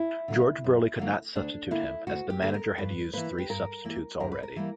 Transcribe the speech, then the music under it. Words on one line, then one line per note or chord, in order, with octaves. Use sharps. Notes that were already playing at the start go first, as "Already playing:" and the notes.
George Burley could not substitute him as the manager had used three substitutes already.
Already playing: E4
D3 F#3 A#3
F#2
D3 F#3 A#3
D2 D4
D3 A#3 E4
D2 F#4
G4
D3 A#3
A#4
G2 B4
E3 A#3 B4
G4
G2 A#4
E3 A#3
F#2 A#4
B4
A#4
E3 G3 A#3